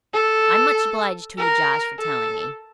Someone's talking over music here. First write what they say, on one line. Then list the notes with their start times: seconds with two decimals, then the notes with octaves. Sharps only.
I'm much obliged to you, Josh, for telling me.
0.13 A4
1.38 A#4
2.00 A4